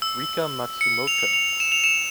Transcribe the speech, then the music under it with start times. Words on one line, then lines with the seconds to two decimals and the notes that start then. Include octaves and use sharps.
Rika Matsumoto.
0.02 E6
0.81 C#7
1.07 F7
1.33 F7
1.60 E7
1.72 F7
1.84 E7